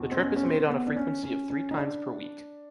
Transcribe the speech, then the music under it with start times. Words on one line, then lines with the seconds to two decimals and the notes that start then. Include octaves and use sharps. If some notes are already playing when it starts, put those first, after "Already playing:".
The trip is made on a frequency of three times per week.
Already playing: E2 B2
0.11 C4
0.17 C#4
0.36 C#4
0.43 C4
0.70 B3
0.87 D4
0.96 C#4
1.23 C#4
1.50 C#4
1.71 D#4
1.77 D4